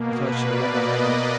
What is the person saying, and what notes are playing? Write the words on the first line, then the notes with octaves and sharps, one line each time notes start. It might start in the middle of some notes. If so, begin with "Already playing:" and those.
"But I shall never have it."
Already playing: B2 A#3
B4
D5
D#5